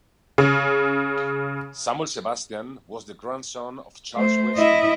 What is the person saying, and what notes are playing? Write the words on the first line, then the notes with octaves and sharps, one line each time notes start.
Samuel Sebastian was the grandson of Charles Wesley.
C#3
A3 C5
E4 D#5